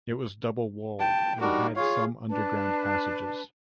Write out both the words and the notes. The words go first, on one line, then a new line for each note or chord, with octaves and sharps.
It was double-walled and had some underground passages.
G5 A5
G3 D4 D#4 F#4 A#4
F4 G#4 C#5 F5
D4 B4 A5